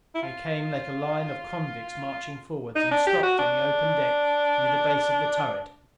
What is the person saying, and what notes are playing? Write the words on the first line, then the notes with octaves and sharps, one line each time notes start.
They came like a line of convicts, marching forward, and stopped on the open deck near the base of the turret.
E4
F4
D#4
D4
G4
F#4
D4